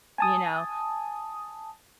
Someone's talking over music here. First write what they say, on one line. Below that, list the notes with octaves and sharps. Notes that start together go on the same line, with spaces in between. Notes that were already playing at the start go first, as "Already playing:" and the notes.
You know?
G#5 A5 D#6